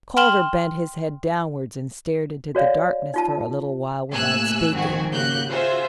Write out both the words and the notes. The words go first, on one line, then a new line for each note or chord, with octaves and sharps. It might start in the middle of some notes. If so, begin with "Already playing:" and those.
Calder bent his head downwards and stared into the darkness for a little while without speaking.
G5 C6 F6 E7 F#7 G7
F#4 C#5 D5 F5
D#4 F4 A5
A2 C3 A#3 G#5 E6 F#6
F2 G#2 D#3 C4 F#4 G#5
C#3 A#3 F#4 G4 F#6 G6
F4 F#4 G#4 C5 E5